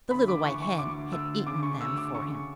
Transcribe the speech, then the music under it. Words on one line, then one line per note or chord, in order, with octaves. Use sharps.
The little white hen had eaten them for him.
D2 B5
D6
E3 C#6
C#6
D2 D6
D2 E6
C#3 D6
C#6
D2 E6
D6
C#3 C#6